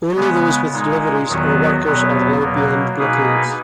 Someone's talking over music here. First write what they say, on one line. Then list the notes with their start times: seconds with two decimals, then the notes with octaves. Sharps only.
Only those with deliveries or workers are allowed beyond the blockades.
0.15 C#3 G#3 B3
0.72 A#2 G#3 D#4
1.29 E2 D#3 F#3 B3 F#4
1.85 E2 B2 F#3 B3
2.42 B2 F#3 A#3
2.99 B2 A#3 D#4 G#4 B4